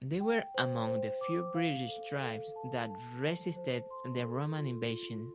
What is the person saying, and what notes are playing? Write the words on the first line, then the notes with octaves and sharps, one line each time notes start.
They were among the few British tribes that resisted the Roman invasion.
G5
C5
C5
D6
F5
A4
A4
A5
A5
C5
C5
C6
A4
F4
F4